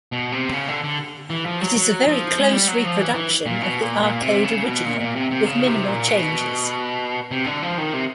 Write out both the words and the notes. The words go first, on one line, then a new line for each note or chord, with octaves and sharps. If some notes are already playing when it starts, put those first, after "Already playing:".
It is a very close reproduction of the arcade original, with minimal changes.
B2
C3
C#3
D3
D3
E3
F3
F#3
F#3
F3
G#3
G3
F#3
F3
E3
E3
A#2
B2
A#2
A#2
C3
C#3
B2
A#2
A#2
C3
C3
C#3
C3
A#2
B2
C3
D3
F3
D#3
C3